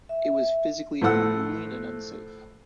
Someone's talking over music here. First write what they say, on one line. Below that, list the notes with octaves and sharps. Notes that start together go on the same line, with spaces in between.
It was physically grueling and unsafe.
E5
A2 F3 A3 F#5 E6